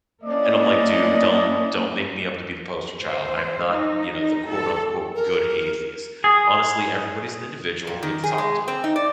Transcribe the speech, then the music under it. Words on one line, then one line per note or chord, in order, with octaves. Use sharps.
and I'm like, "Dude, don't don't make me up to be the poster child; I'm not, you know, the quote unquote 'good atheist.'" Honestly, everybody's an individual, get to talk to 'em.
A#3 C#4 D4 E4 D5 D#5
C5
D#4
D#4
A4
A#4
G#4
A#2
D#3
G#4
G#3
C4
D#4
D5